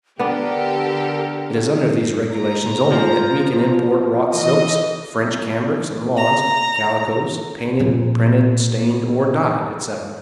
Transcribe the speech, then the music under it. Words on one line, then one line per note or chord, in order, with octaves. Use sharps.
It is under these regulations only that we can import wrought silks, French cambrics and lawns, calicoes, painted, printed, stained, or dyed, etc.
D3 B3 D4 G4 A4 A#4
A#5
F3
E3 D#5
A#5
A#2 F3